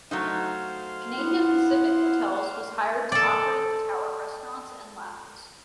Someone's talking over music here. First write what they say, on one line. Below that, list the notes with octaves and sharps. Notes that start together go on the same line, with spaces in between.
Canadian Pacific Hotels was hired to operate the tower restaurants and lounges.
F#3 A3 D#4 C5 F5
B3 E4 F#5 C6
A4 D5